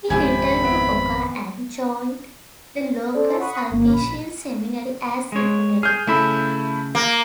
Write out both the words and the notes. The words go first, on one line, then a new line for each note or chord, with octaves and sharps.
He returned to Oka and joined the local Sulpician seminary as secretary.
G#1 F2 C3 D#3 C4 G#5 B5 G#6
B3 E5 D7
C#4 A4 C5 D5
F#5 B5 C#6 D#6
G1 A#3
A#1 B5
G#3 C#5
G#4 F6 G6
C#3 A3 E4 E5 B5
A#3